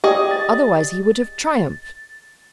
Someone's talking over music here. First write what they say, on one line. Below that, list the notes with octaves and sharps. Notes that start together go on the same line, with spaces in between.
Otherwise he would have triumphed.
G4 G#4 D5 D#5
A6